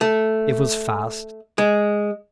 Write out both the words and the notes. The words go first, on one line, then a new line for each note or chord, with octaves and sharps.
It was fast.
A3
G#3